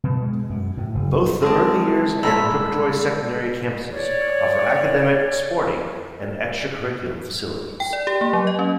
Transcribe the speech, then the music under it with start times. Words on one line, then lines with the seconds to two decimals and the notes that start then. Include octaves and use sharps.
Both the Early Years and preparatory-secondary campuses offer academic, sporting and extra curriculum facilities.
0.04 B2
0.23 G#3
0.50 F#2
0.77 A2
0.95 F#1
1.42 G#3 C4 A5
2.23 G2 G#3 A4 A#5 B5 E6 B6
3.91 C#5 D5
7.80 G5
7.93 D5
8.07 G4
8.21 A#3
8.33 F#3
8.47 D#5
8.59 C#4